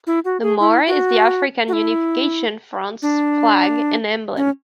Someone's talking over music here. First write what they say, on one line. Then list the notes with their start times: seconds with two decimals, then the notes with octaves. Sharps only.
The Maure is the African Unification Front's flag and emblem.
0.07 E4
0.25 F#4
0.42 G#4
0.60 E4
0.87 F#4
1.68 F#4
1.73 E4
3.02 D4
4.37 C#4